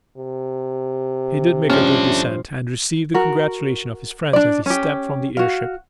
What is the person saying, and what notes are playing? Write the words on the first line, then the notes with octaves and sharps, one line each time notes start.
He did make a good descent, and received the congratulation of his friends as he stepped from the airship.
C3
G2 F3 G#3 A3 C#4 D4
F#4 A#4
D4 D5
C#4 G4
F#4 F5